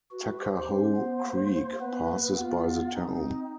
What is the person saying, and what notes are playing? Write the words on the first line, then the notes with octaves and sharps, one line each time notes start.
Tuckahoe Creek passes by the town.
F#4 B4
B4
G4 C5
C5
C#4
B3
A#3
B3 B4
A#3
B3 F4 F#4
C4 D#4